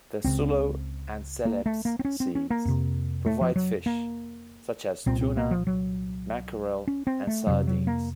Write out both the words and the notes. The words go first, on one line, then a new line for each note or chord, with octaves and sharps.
The Sulu and Celebes Seas provide fish such as tuna, mackerel, and sardines.
C#2 C#3 C4
A#3
A3
A#3
C4
C#4
C4
C#4
A#3
F2 C3
A3
F3
F#3
A#3
C2 A#2 C4
C4
A#3
F3
F#3
C#4
C4
A3
F2 C3 F#3
F#3
A#3